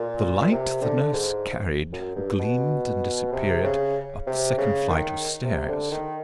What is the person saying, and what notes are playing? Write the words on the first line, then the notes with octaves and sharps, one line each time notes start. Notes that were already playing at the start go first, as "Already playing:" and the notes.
The light the nurse carried gleamed and disappeared up the second flight of stairs.
Already playing: A#2
C3
D3
G#2
F#2
G2
B2
C3
C#3
C3
C#3
D#3
C3
D3
D#3